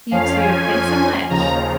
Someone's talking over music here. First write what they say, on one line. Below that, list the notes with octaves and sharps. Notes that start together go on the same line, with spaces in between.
You too. Thanks so much.
F2 F3 C#4 F5
G#5
D#2 C#3 F3 A#5